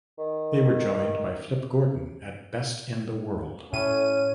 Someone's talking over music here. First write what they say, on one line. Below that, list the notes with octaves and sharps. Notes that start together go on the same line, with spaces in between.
They were joined by Flip Gordon at Best in the World.
D#3
A2 C#4 D#7